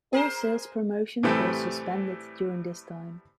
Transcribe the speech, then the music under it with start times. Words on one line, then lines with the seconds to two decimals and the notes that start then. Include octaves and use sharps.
All sales promotions were suspended during this time.
0.13 G#4 A#4 C5
1.23 A2 C3 E3 G3 A3 C4